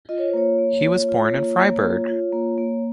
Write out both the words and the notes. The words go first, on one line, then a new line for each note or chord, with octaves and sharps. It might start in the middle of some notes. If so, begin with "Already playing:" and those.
He was born in Freiburg.
F4 D#5
C#5
C5
A#3 C#5
A#3
F4
F4
A#3
A#3
F4
F4
A#3
A#3